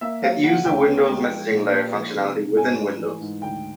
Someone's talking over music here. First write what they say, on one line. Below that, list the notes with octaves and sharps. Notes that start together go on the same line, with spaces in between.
It used the "Windows Messaging Layer" functionality within Windows.
A#3 E5
F#3 F5
C#3 F#5
D2 G5
B3
G#3
F3
A#2
A#3
F3
C3
C#2
G#2 G#5
A3
E3
G#2
D2 G5